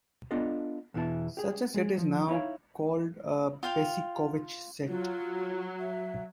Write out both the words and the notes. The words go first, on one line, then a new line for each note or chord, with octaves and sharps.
Such a set is now called a Besicovitch set.
B3 D4 F4 A4 D#5
E2 B2 E3 E4 A5
G4 G#4
G#3 G#4
F3
D#4 E4 C#5 F5
F4 F5 G5
F#3 F4
E5